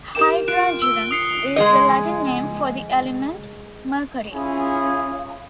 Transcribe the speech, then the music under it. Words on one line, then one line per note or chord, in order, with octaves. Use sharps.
"Hydrargyrum" is the Latin name for the element mercury.
G4 A#4 G5 D6 E7
F4 F#6 D7
E6 G7
D#6 C7 C#7
G#3 G#4 D#5
C#4 E4 F4 G#4